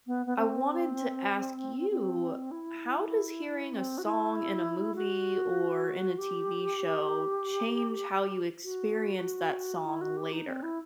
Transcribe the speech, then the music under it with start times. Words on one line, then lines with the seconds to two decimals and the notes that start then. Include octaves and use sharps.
I wanted to ask you, how does hearing a song in a movie or in a TV show change how you experience that song later?
0.07 B3
0.26 B3
0.37 C4
1.90 C4
2.51 E4
3.74 C4
3.98 F#4
4.04 E4
4.96 F#4
6.18 G4
8.64 F#4
9.86 E4
10.01 F#4
10.17 G4
10.33 D#4
10.47 C4
10.63 E4